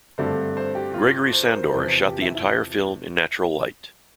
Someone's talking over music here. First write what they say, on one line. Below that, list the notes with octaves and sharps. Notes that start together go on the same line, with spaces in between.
Gregory Sandor shot the entire film in natural light.
G2 D3 A3 C4 C5
C5
G4
F4
C5
A#4
C5
E2 C3 F3
G4
E4
E4